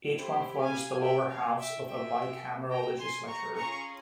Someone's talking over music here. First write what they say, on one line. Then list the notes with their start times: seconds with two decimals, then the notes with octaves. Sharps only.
Each one forms the lower house of a bicameral legislature.
0.16 C#4 E4 G4 C5
0.58 F5 G#5
1.01 E5 G5
1.29 C#5 F5
1.58 E5 G5
1.85 A#3 F4 G#4 E5 G5
2.70 G5 A#5
2.98 G#5 C6
3.27 A#5 C#6
3.54 C#4 F4 G#4 A#5 C#6